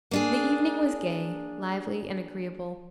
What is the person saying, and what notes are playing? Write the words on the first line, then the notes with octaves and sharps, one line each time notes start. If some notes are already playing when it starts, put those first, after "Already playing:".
The evening was gay, lively and agreeable.
A#3 D4 G#4